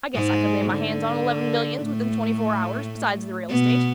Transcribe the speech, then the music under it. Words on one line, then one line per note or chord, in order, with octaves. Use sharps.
I guess I could lay my hands on eleven millions within twenty-four hours, besides the real estate.
G#2 G#3
D3
A2 A3
B2 B3